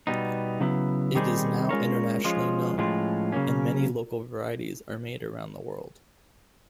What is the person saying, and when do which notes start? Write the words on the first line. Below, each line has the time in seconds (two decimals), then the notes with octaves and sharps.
It is now internationally known, and many local varieties are made around the world.
0.07 B2 G3 B3 D#4
0.60 C#3 F#3 B3 E4
1.15 D#3 G3 C4 D#4 G#4
1.69 G#3 C#4 F4 A#4 C#5
2.24 F3 G#3 C#4 F4
2.78 A2 F3 G#3 C#4 F4
3.32 C#3 F#3 A#3 C#4